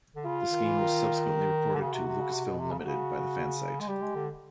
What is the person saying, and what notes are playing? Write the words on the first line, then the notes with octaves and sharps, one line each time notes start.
The scheme was subsequently reported to Lucasfilm Limited by the fan site.
D3
C#3 F4
D#3
E3
D#3
D3
C#3 F#4
C3
C3
C#3
C3
B2
C3
C#3
D3
C#3 F#4
G#3
G3 G4
G#3
D3